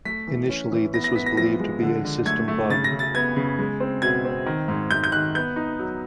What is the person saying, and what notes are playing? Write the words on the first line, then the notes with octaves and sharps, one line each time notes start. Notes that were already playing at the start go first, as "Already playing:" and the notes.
Initially this was believed to be a system bug.
A3 B6
E3
C#4
E3
B3 A#6
A#6
B3 B6
A#6
F3 A#6
G#3
D3
D3
A3 G#6
A3
C#3 A6
A#6
C#3
A6
B3 G#6
C#3
G#3
C4
B2 G#6
C4
D#3
G#2
G#2 G6
G6
D#3 F#6
B3 G6
D#4
F#3